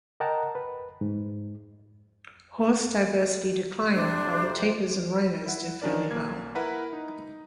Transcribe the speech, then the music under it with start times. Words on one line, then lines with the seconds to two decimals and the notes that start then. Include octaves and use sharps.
Horse diversity declined, while tapirs and rhinos did fairly well.
0.20 A#4 D#5 F#5 G5 A5 A#5
0.55 B4
1.01 G#2
3.94 F2 C3 D4 C5
5.46 E4 F#5
5.82 D#3 C#4 D4 A#4 D5
6.11 B1 A#3 G#6
6.55 E4 A#4 B4 F#5 A#5
6.93 D#4